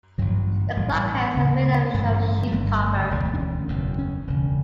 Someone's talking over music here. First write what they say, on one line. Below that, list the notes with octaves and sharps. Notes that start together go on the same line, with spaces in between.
The clock hands are made out of sheet copper.
A1 G2 D3 F#3
A1 A2 G3
D2 C#3
B3
A3
A1 G2 D3
A3
G3
G3
G1 G2 D3 A3
E1 D2 D3
A3
D4
C#4
F#1 E2 B2
C#4
E1 D2 C#3